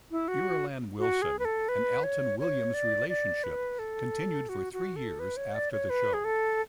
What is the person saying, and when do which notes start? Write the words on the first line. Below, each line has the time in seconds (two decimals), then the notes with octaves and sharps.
Irulan Wilson and Alton Williams' relationship continued for three years after the show.
0.11 E4
0.28 F#4
0.99 F#4
1.22 G#4
1.39 B4
1.45 A4
1.69 B4
2.04 C#5
2.39 C#5
2.74 D5
3.09 D5
3.44 B4
3.79 A4
4.49 F#4
4.73 F#4
4.96 A4
5.19 B4
5.37 C#5
5.54 D5
5.72 C#5
5.90 B4
6.14 G#4
6.25 A4